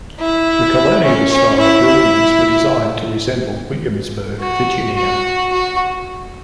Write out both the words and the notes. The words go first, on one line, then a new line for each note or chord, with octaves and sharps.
The colonial-style buildings were designed to resemble Williamsburg, Virginia.
E4
C#4
C#4
E4
F#4
F#4
F#4